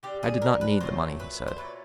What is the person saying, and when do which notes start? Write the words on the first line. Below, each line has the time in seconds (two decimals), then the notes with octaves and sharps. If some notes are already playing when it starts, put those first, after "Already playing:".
"I did not need the money," he said.
0.03 D3 G3 G4
0.23 G#4
0.42 A#4
0.61 B4
0.81 A#2 F#3 A3 C5
1.20 B4
1.48 C5
1.58 A#2 F#3 A3 B4